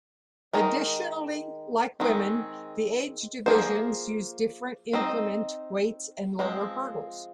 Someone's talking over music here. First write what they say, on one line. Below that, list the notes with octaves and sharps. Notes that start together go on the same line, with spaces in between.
Additionally, like women, the age divisions use different implement weights and lower hurdles.
D#3 G#3 D#4 A#4
D#3 G#3 C4
F3 A#3 D#4 G#4 C5
C4 D#4 C5 D#5
F3 G#3 C4